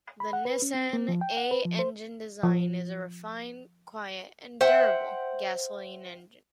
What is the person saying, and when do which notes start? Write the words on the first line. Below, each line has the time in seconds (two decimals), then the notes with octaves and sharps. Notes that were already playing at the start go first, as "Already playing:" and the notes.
The Nissan A engine design is a refined, quiet and durable gasoline engine.
0.20 B5
0.33 F#5
0.45 B4
0.62 C#4
0.75 C4
0.93 A#3
1.08 F3
1.21 G5
1.37 F#5
1.51 B4
1.65 F3
1.79 C5
2.43 F3
4.61 C5 E5 F#5 G5